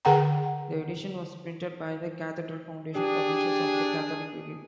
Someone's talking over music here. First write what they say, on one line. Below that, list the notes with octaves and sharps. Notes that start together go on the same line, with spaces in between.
The edition was printed by the Cathedral Foundation, publishers of "The Catholic Review".
D3 G#4 A#4 F#5 G5 A#5
D4 G4 G#4